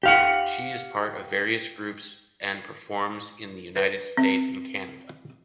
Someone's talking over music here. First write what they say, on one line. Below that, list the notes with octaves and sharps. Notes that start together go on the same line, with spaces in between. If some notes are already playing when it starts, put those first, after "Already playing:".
She is part of various groups and performs in the United States and Canada.
G4 F5 F#5
B4
C4